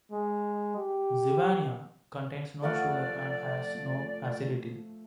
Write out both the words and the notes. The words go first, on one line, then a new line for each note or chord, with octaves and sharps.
Zivania contains no sugars and has no acidity.
G#3
G4
F3 A3 A4 D5 F5 F#5 F6